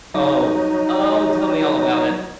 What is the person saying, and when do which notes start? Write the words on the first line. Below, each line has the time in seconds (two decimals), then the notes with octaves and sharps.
Oh. Oh, tell me all about it!
0.14 F#3 D#4